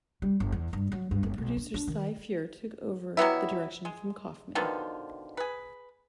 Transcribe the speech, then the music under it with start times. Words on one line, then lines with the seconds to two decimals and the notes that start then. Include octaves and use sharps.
The producer Cy Feuer took over the direction from Kaufman.
0.22 G3
0.40 G1
0.52 E2
0.73 G2
0.92 F#3
1.11 G2
1.23 G1
1.38 B1
1.57 D4
1.74 D4
1.87 D#3
3.17 F#3 G3 B3 E4
3.85 G#3
4.55 B2 D3 D#3 F3
5.37 G#4 B4